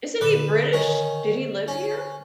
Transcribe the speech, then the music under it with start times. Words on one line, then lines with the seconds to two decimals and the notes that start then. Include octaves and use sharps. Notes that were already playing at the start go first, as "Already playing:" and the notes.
Isn't he British? Did he live here?
0.21 A#2 D3 B4
0.73 D#3 C#4
1.68 C#4